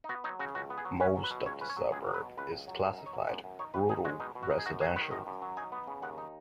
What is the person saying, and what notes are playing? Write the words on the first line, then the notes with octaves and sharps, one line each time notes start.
Most of the suburb is classified "Rural Residential".
D#4
B3 F#4
F#3 D#4
C#3 F#4
C#2 F#4
B3
G#4
F#3
C#4 B4
F#3
B4
B2
C#2 C#5
C#4 B4
C#5
F#3
C#2 G#4
F#3
B4
B2
C#2 B4
C#2
F#3
F#2 G#4
D#4
C#5
F#3
F#2 F#5
F#2
D#4 C#5
B2 B4
D#4 G#4
G#3 F#4
B2 D#4
B2
F#4
D#4
G#4
F#2 F#4
F#3 G#4
D#3 B4
F#2 D#5
F#2
F#3
D#4 G#5
B3
C#3
D#2 F#5
D#4